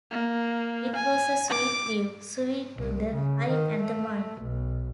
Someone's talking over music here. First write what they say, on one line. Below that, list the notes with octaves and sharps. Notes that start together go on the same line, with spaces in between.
It was a sweet view: sweet to the eye and the mind.
A#3
G#5
D6
C2
C#3
D#3
A3
B1